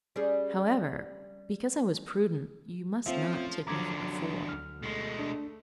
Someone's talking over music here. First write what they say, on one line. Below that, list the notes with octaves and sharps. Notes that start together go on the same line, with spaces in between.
However, because I was prudent you must not take me for a fool.
G3 C#4 G#4
F3 A3 C4 C#4 F4 E5
E2 D3 F3 F#3 A#5 D6 G#6
F#3
D2 F6
B2 G#3 A3
D4